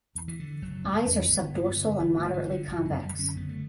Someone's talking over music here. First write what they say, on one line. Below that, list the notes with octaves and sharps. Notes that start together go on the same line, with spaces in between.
Eyes are subdorsal and moderately convex.
E2
E3
D3
F#1 F#3
F#1 A3
E2 C#4
G1 B3
G2 A3
B3
D3
G1 B3
A3
G1
E3
G2
D3
F#1
F#3
F#2
G3
D3 C#4
F#1 B3
A3